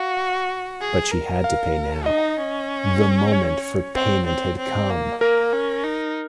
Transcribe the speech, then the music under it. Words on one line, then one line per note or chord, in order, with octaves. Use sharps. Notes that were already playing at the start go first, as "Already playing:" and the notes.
But she had to pay now; the moment for payment had come.
Already playing: F#4 F5
G#4
A#4
F5
D#4 D#5
C#4
C#5
C4
C4
C4
A#3
A#3 A#4
C#4
D#4